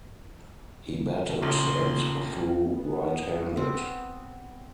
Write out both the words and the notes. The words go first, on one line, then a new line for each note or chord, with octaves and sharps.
He batted and threw right-handed.
A1 A#2 C#3 F3 C6
B3
C4